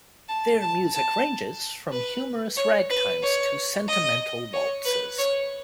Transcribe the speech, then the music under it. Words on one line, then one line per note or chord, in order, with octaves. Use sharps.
Their music ranges from humorous ragtimes to sentimental waltzes.
A5
A5
A5
B4
C#5
B4
C#5
D#5
C#5
B4
C#5